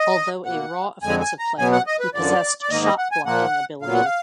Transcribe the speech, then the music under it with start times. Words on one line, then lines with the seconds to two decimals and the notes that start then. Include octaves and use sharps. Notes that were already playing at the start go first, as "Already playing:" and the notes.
Although a raw offensive player, he possessed shot-blocking ability.
Already playing: D#5
0.46 B2 A#3 F#5
1.03 F2 D3 G#3 G#5
1.21 G#5
1.39 A#5
1.58 B2 F#3 B3 G#5
1.72 F#5
1.87 D#5
2.00 B4
2.14 F#2 D3 F3 D5
2.62 D5
2.70 G#2 D#3 A#3 D#5
2.84 D#5
2.98 F#5
3.12 G#5
3.26 A#2 F3 A#3 F#5
3.82 A#2 F#3 B3 F5
3.94 F#5
4.05 F5